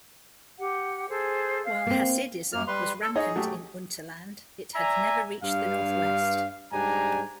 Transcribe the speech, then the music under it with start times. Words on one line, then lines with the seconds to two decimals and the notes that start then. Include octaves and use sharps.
While hasidism was rampant in Unterland, it had never reached the northwest.
0.60 G4 F#5
1.09 G#4 A4 C5
1.64 F5
1.87 A#3 C4
2.53 F#2 A#3 F6
2.67 G3 B4 C6
3.02 A4
3.15 D#4 G#4 C#5 D#5
3.36 F#3 A3 G4
4.75 D5 E5 G#5 A#5
5.43 G2 F5
6.72 G#2 G3 D4 G#5 A#5